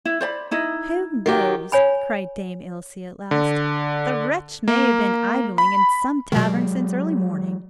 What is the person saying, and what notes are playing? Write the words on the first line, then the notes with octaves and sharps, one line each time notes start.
'Who knows?' cried Dame Ilse at last, 'the wretch may have been idling in some tavern since early morning.'
E4
C5 D5 B5
D#4 E4 D#5
D#3 F#3 G4
C#5 G#5 B5
D3
A#3
B5
B2 D#3 F#3 G#3